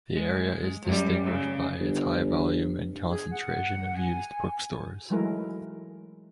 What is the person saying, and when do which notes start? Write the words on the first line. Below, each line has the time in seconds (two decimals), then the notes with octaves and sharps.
The area is distinguished by its high volume and concentration of used bookstores.
0.15 G#3
0.84 F#2 G3
1.24 C#3
1.80 G1
3.10 G#4
3.32 F#5
3.96 G#5
5.10 E3 F#3 G#3 A3 E4 A#4